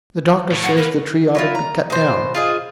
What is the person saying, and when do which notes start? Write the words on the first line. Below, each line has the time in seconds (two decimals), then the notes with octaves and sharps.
"The doctor says the tree ought to be cut down."
0.51 A2
0.63 F#5
0.77 A#3 A#4 B4
1.35 F#3 E4 F4
1.55 A#5
1.90 B2 C5
2.34 F4 G#4 D#5